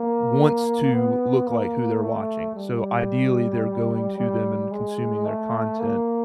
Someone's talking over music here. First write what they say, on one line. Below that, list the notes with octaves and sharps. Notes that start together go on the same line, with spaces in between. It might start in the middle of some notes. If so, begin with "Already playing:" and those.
wants to look like who they're watching. So, ideally, they're going to them and consuming their content
Already playing: A#3
B3
A#3
A3
G3
G3
G#3
A3
A#3